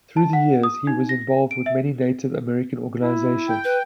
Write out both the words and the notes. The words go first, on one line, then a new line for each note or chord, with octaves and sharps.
Through the years, he was involved with many Native American organizations.
A5
F#5
D#6
D#4
A#6
D7
E5
E4
G5
B4